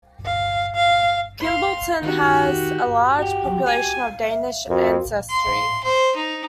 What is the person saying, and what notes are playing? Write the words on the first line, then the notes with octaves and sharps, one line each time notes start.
Kimballton has a large population of Danish ancestry.
F5
F5
F5 C6
D#3 F#4 G4
F#4 G4
G#5
E5
F2 F#4 A#4
C6
C5
D#4